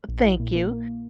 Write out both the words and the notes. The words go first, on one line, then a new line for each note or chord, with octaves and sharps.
Oh, thank you.
A#1
E4
A#2
A#3
A#3